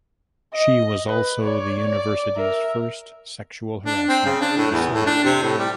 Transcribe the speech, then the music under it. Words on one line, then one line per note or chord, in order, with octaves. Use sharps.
She was also the university’s first sexual harassment conciliator.
D#5
B4
C#5 D5
D5
A#4 E5
D4
C4
C#3
D4
A2
E2
A2
D4
C3
A2
G3